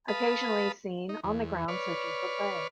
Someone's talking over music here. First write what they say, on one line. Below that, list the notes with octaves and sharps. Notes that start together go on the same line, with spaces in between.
Occasionally seen on the ground searching for prey.
B4 F5 A5 B5 D#6
D#4
E2
B4 C#5 D5 F6